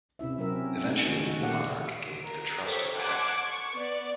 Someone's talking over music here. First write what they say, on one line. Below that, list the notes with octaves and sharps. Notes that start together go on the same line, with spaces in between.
Eventually the monarch gained the trust of the Hetman.
C3 C#4 E4 E5
F#3 C4 C#4 A#4 E5
G#3 A3 C#4 D#4
D#3
C#3 D#4 F#4
A#2 A#3 G4 A4 F5 F#5
A#4
G4 A4 C5 C#5 G5 B6
F#5 A5 C6 D6 F#6 G#6
C#6
B3 D5